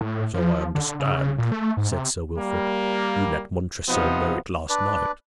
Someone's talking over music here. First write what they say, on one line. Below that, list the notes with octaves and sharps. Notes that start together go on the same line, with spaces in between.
"So I understand," said Sir Wilfrid; "you let Montresor know it last night."
A2
F3
D3
C#3
A#2
A3
G#2
C3
G3 A#3
C3 F3 B3 D#4
D4 B4 D5